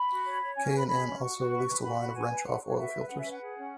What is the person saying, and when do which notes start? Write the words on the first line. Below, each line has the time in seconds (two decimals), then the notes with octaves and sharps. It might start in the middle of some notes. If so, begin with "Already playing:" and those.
K and N also released a line of Wrench-Off oil filters.
Already playing: B5
0.09 F#4
0.25 C#5
0.40 C#5
0.56 C#4 G#5
0.66 G#5
0.72 B4
0.77 B5
0.87 G#4 B5
1.03 C#4
1.19 F#4 C#6
1.36 F#4
1.51 B4
1.67 B4
1.82 F#4 B5
1.99 F#4
2.14 B4 G#5
2.29 B4
2.46 F#4 F#5
2.61 F#4 C#5
2.77 B4 E5
2.93 B4
3.09 C#4 F#5
3.19 E5
3.24 B4
3.30 F#5
3.40 G#4
3.57 C#4